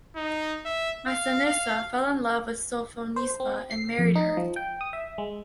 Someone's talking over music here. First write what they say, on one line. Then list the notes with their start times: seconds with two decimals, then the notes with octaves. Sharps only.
Masinissa fell in love with Sophonisba and married her.
0.16 D#4
0.65 E5
1.07 F5
1.46 F5
3.16 C5
3.40 C4
3.71 C7
3.99 F2
4.16 D#4
4.37 F3
4.56 G5
4.81 D#6
4.93 E5
5.18 G#3